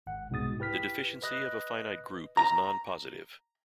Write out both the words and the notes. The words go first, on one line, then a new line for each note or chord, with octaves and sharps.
The deficiency of a finite group is non-positive.
G#1 F#5
C2 G#2 B2 G#3 D#6 A6
E4 G4 B4 F6 B6
B4 D#5 F#6
A#5